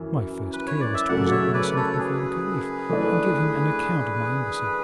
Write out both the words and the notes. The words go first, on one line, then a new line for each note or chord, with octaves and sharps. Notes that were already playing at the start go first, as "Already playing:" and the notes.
My first care was to present myself before the Caliph, and give him an account of my embassy.
Already playing: F#2 E3 E4
B4
C#5
D5
E5
F#2 C#3 F#3 A3 D5 F#5
C#5 E5
B4 D5
A4 C#5
A4
G#4 B4
E3 A3 D4